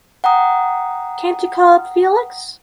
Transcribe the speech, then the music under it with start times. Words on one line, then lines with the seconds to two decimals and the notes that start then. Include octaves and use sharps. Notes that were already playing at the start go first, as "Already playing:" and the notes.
Can't you call up Felix?
0.24 F#5 G5 A#5 D#6